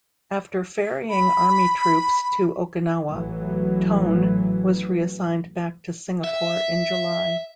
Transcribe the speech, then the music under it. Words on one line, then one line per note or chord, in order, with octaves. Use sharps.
After ferrying army troops to Okinawa, "Tone" was reassigned back to Singapore in July.
B5
A1 A2 E3 F#3
E5